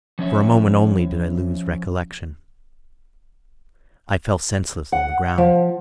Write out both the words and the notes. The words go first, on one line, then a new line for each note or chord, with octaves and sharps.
For a moment only did I lose recollection; I fell senseless on the ground.
F3 C#4 C#5 E5
F#5
F3